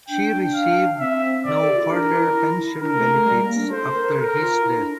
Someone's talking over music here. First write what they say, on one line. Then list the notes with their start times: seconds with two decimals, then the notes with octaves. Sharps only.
She received no further pension benefits after his death.
0.08 D4 G5
0.31 D4
0.54 F5
0.99 C4 E5
1.45 D5
1.61 A4
1.68 G4
1.76 F4
1.82 E4
1.89 D4 A#4
2.13 E4
2.35 E4
2.58 E4
2.80 D4 A#4
2.96 A3
3.11 A3
3.26 G3
3.41 A#3
3.56 D4
3.71 A4 C5
3.94 A#4
4.17 A4 A#4
4.40 F4
4.63 E4
4.77 D4